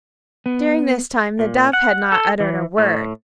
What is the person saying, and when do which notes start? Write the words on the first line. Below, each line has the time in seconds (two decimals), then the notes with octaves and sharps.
During this time the Dove had not uttered a word.
0.46 B3
1.39 A#2
1.73 F#5
2.12 A4
2.40 E3
2.78 A2